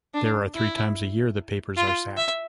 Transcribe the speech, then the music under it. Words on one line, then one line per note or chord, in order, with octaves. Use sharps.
There are three times a year the papers are sat.
D4
E4
F4
E5